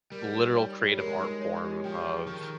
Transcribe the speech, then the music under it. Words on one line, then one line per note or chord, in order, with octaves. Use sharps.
literal creative art form of
G3 A#4
D#4
C#5
G4
G#3 A#4
D#4
C#5
G4
F3 G5
G#4
D#3 C#6